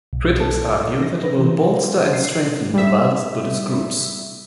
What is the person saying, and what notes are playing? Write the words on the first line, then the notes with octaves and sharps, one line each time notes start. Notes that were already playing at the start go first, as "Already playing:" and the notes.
Critics argue that it will bolster and strengthen the violent Buddhist groups.
B1
A4
D6
A#6
B4
E3
C5
C7
G3 E5